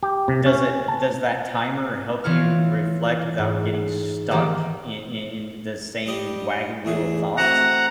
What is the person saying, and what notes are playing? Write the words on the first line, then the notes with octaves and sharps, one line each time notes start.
does it does that timer help you reflect without getting stuck i i in the same wagon wheel of thoughts?
G4
C3
C#4
A5
E3 E4 F4 C#5 F6
G#2
D#3 E3 A#3 C4 G4
G3 G4 D#5
E2 A3 G#4
A3 C4 F#4 F#5 A#5